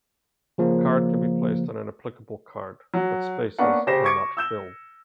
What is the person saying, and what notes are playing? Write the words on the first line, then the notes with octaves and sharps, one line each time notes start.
A card can be placed on an applicable card, but spaces are not filled.
C#3 F3 A#3
F#3
A#3 B3 C#4 D4 A#4 F#5
C#3 G4 C5 A#6 E7
C#6 D6 G#6 C#7 D7
E6 G6 E7